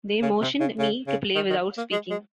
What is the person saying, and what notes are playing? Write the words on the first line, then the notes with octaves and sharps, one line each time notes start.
They motioned me to play without speaking.
C#3
C3
C#3
C#3
C#3
D#3
D#3
A#3
G#3
G#3